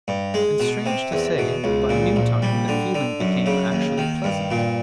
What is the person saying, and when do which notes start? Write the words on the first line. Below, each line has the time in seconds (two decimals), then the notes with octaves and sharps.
And strange to say, by noontime the feeling became actually pleasant.
0.08 G2
0.34 G#3
0.60 B2
0.86 C3
1.12 E2
1.38 B2
1.64 C#2
1.89 A#2
2.16 A#1
2.42 G3
2.68 D3
2.94 D3
3.20 F#2
3.46 C#3
3.72 D#2
3.98 D#3
4.24 G2
4.51 A#2